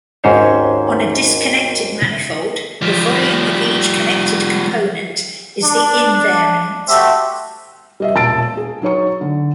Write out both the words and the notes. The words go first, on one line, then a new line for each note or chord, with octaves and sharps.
On a disconnected manifold, the volume of each connected component is the invariant.
G#1 D#2 G#2 C#4 C5 C#5
F3 G3
D4
A3 F#4 G4 C5 E5 A5
G3 D#5 E5
E1 A#2 A5 E6 A6 D7
G#4
F#3 D#4 C#5 C#6
D3